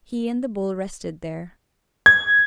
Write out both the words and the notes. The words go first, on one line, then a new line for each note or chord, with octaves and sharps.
He and the bull rested there.
G#6